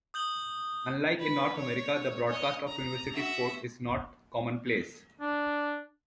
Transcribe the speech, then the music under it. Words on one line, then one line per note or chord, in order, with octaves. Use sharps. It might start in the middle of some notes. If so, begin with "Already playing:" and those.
Unlike in North America, the broadcast of university sport is not commonplace.
D#6 G6 F#7 G7
B4
C#5
C#5 D#5
A#5
F#4 E5
D4